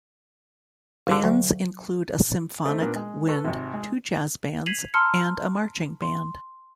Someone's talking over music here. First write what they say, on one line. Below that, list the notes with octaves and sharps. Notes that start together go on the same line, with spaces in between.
Bands include a symphonic, wind, two jazz bands, and a marching band.
G#1 D3 F5
D2 F#3
A3 C4 D#4
A#2 A#3 B3 D4
G#3
A4 B4 C#6
G#1 C3
G#3
G#6 B6 C7 D#7 F7 F#7
A5 A#5 C6 E6 F6 C#7
C6